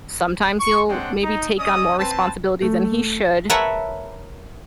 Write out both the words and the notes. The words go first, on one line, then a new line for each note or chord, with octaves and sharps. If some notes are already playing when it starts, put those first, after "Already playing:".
sometimes he'll maybe take on more responsibility than he should,
C#6
G#3 C4 D4 C#5 F#5 G5
D#4
C#4 D5 D#5 D#6
C4 B4 A5
A3
A#4 B4 C#5 E5 F#5 A5